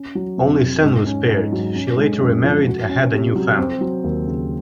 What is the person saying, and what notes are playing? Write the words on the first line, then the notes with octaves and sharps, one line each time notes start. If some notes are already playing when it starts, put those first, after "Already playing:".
Only Sen was spared; she later remarried and had a new family.
Already playing: C#4
F#3
F2
C3
G#2
C#4
G#2
F#3
C#4
G#3
F#2
F3
F#4
C#4
C3
F#3
C4
F#3
D#2
C#3